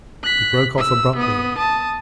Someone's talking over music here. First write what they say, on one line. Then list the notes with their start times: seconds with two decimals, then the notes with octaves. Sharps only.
He broke off abruptly.
0.23 F#6 B6
0.78 E6
1.16 B3 D#6
1.58 A5 D#6